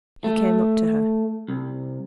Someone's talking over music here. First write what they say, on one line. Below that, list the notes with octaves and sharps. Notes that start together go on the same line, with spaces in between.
He came up to her.
A3
C2